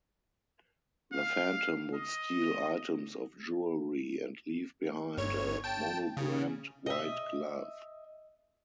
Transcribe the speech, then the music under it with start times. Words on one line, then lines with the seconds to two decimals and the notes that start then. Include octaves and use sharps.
The Phantom would steal items of jewelery and leave behind a monogrammed white glove.
1.12 F5
1.94 D#5
5.17 G1 C#5
5.64 G5 A5
6.17 C#3
6.86 D#5 E5